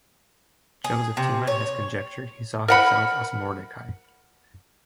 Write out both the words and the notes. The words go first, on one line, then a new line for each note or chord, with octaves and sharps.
Joseph Tuman has conjectured he saw himself as Mordecai.
G#4
C3
C#5
A#4 F#5 B5